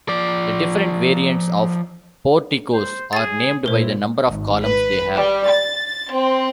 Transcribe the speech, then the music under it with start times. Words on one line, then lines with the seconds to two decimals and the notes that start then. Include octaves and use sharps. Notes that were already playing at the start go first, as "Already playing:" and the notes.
The different variants of porticos are named by the number of columns they have.
0.09 F3 D5
2.74 C5
3.13 G#4 G#5 A6
3.66 A#2 E4 A#4 C5
4.28 G#1
4.63 B4
5.16 G3
5.52 A6
6.14 C4